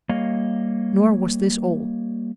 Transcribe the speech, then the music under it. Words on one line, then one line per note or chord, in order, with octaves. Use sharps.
Nor was this all.
G3 A#3 C#5 D#5 F5